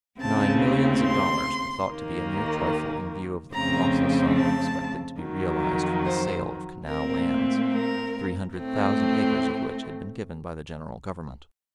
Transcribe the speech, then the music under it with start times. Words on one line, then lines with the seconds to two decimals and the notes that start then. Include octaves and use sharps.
Nine millions of dollars were thought to be a mere trifle in view of the colossal sum expected to be realized from the sale of canal lands, three hundred thousand acres of which had been given by the general Government.
0.19 D#2 C#3 A3 C4 A5
1.03 C6
1.87 D#2 D#3 A#3
3.53 F2 C#3 A3 C4 A#5
4.37 A5
5.21 F2 D#3 F#3
6.05 C5
6.87 A#2 A3 C4 A#4
7.71 A#4
8.55 A2 A3 C4